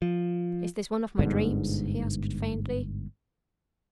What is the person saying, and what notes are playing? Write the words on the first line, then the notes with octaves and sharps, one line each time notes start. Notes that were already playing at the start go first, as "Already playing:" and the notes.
"Is this one of my dreams?" he asked, faintly.
F3
G1 G#2 B2 D3